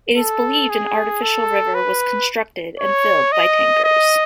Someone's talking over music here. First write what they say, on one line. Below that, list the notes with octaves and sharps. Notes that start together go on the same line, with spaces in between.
It is believed an artificial river was constructed and filled by tankers.
A4
G#4
A4
B4
C#5
D#5
D#5